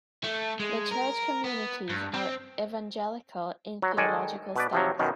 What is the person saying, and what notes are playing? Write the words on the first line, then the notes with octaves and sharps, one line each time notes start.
The church communities are evangelical in theological stance.
A3
G#3
A#4
B3
G2
C4
F#3
D#3 G#3 A4 D5 G#5
B2 B4 D5
C3 F3 F#3
F#2 B2 D#3